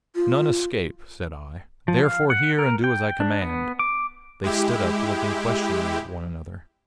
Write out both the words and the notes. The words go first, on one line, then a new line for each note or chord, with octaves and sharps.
"None escape," said I. "Therefore hear and do as I command." They stood up, looking questioningly at one another.
F4
F3
F5
F#5
A#4
G5
D4
B3
D6
G#3 E4 G4